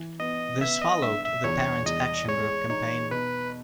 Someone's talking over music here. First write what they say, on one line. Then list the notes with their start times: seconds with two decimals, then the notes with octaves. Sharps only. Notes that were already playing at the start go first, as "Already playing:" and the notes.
This followed the Parents Action Group campaign.
Already playing: E3
0.19 B3 D#5
0.61 B3 E5
0.82 D#5
1.03 G2 E5
1.24 E5
1.44 E2 C#5
1.86 E2 D#5
2.28 G#3 C#5
2.70 D#4 C#5
3.11 B2 B4